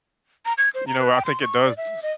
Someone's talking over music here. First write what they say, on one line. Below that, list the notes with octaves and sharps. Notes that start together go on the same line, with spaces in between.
you know, I think it does s
A#5
G#6
C5
A#5
B4
G5
C6
C#6
D5
E5
D#5